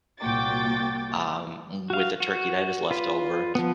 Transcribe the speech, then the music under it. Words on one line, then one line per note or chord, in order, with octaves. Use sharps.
um, with the turkey that is leftover.
C2 A#2 F#4 G5 D6 A6
F#4 F5
F#4
F4 B4
F3 B3